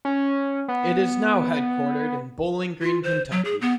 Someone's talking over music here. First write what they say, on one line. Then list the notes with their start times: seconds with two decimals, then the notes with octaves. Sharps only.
It is now headquartered in Bowling Green, Kentucky.
0.05 C#4
0.68 B3
2.81 F4
3.03 C5
3.31 F#3
3.45 G#4
3.61 B3